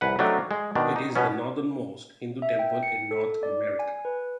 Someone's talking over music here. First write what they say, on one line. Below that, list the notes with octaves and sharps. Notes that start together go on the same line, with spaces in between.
It is the northernmost Hindu temple in North America.
C2 B4 F#5
F#3 A3 C4 D4 D#4 F4
G#3
B2 D#3 D4
D#4
B2 B3 C#4
E5
G5
C#7
A4
D5
G#5
B4